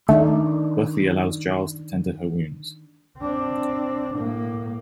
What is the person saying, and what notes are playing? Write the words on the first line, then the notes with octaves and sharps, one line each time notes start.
Buffy allows Giles to tend her wounds.
D#3 A3 D4 D#4
C4 D4
A2 A#3